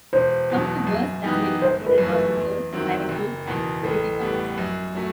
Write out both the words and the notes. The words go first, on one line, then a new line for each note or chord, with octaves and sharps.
Some of the worst damage occurred at Rochester, Syracuse, and Utica.
E1 C5
E2 B2 F#3
F#2
E3 B3 D#4 G4
G1 C5
B4
F#2 E3 A3
B4
E2
D#3 F#3 C4 E4
F#1
E2 B2
A1 A4
A2 G3 B3
F#2
F#3 A3